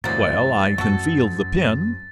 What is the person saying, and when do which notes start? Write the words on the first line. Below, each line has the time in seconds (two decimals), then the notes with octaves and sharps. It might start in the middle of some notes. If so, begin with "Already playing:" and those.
"Well, I can feel the pin."
0.04 D2 G2 E3 F#3 A#3 C4 A6
0.78 F#2 F#3 F#4 A4